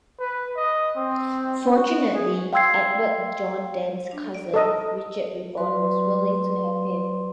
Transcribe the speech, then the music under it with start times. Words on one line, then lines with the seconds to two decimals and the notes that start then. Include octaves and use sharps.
Fortunately, Edward John Dent's cousin, Richard Rippon, was willing to have him.
0.20 B4
0.57 D#5
0.97 C4
1.76 F#4
2.14 G#4
2.53 F5 G5 C6 E6 G#6 C7
4.54 A4 D#5
5.57 F#3 F#4 B4 D5 C6